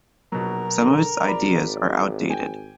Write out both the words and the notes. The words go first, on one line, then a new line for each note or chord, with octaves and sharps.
Some of its ideas are outdated.
A#1 B2 F#3 A#4
D3
G#1 D5 B5
G5 G#5